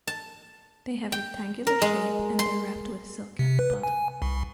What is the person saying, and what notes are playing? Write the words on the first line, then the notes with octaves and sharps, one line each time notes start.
They have rectangular shape and they’re wrapped with silk at the bottom.
A5
G5
A#4
G#3
C6
C3
B4
G#5
C2